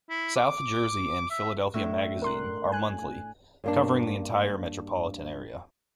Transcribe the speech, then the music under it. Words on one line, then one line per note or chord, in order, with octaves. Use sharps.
"South Jersey" and "Philadelphia Magazine" are monthly, covering the entire metropolitan area.
E4
D6
E5
A2 D4 E5
A#4 C6 F#6
G#5 F#6
G2 A#3 D4